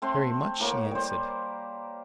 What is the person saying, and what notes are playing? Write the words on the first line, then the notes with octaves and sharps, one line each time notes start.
"Very much," she answered.
A3 C4 F#5 C6
A2 A#3 A#4 C#5
G3 C5